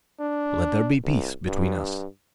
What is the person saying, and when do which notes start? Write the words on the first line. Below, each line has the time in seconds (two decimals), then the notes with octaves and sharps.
Let there be peace between us.'
0.20 D4
1.03 C2
1.47 G2